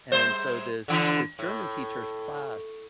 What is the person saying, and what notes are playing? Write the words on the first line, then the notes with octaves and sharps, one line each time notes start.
And so this this German teacher's class
G3 C5
D3 E3 D4
A2